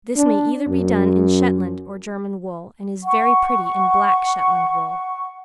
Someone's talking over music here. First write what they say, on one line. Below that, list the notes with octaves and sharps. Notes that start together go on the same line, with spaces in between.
This may either be done in Shetland or German wool, and is very pretty in black Shetland wool.
D4
F#2
F#5 C#6